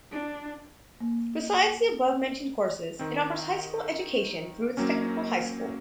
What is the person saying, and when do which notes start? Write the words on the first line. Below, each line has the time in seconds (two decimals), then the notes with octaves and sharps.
Besides the above-mentioned courses, it offers high school education through its Technical High School.
0.11 D4
1.01 A#3
2.99 D#3 C4
4.77 F#3 A#3 C4 C#4